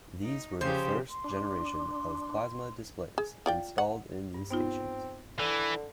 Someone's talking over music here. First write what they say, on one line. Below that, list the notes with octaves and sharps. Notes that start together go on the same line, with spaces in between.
These were the first generation of plasma displays installed in these stations.
D#4
C#3 F3 G4 C5
C6
D4
G#4
F4 D5 G5
F#5
G2
B3 C4 D#4 F4
D3 E3